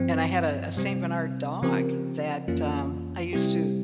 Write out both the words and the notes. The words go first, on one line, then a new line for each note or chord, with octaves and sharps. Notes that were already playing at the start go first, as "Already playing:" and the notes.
and I had a a Saint Bernard dog that, um, I used to
Already playing: G2 F3 C4
C3 G3 C4
C#3 F3 C4 G4 A#4
F2 E3 A#3 C#4 F4
C3 G3 C4 E4 G4